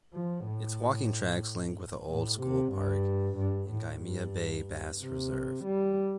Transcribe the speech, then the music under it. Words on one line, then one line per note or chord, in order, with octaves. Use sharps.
Its walking tracks link with the Old School Park and Gymea Bay Baths Reserve.
F3
A2
A2
C3
G2
G2
A2
G2
C3
G3